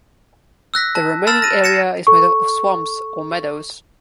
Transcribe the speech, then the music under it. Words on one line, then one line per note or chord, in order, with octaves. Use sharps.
The remaining area is made up of swamps or meadows.
E6 F#6 A#6 B6
A5
A5 B5 E6 F6 A6 E7
A#6 D#7
G#6 A#6 C#7 E7
A4 C#6